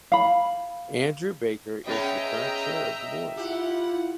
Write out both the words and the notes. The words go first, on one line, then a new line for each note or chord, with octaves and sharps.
Andrew Baker is the current chair of the board.
F5 B5
B3 C#4 G#4 D#5 E5 G5 A#5
E4 F4 G4 F#5